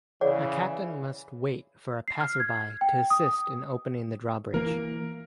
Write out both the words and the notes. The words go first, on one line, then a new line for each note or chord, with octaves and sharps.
A captain must wait for a passer-by to assist in opening the drawbridge.
C#3 E3 G#4 C#5 D5 F#5
C7
F6
G#6
G5
D#6
E3 A#3 A#4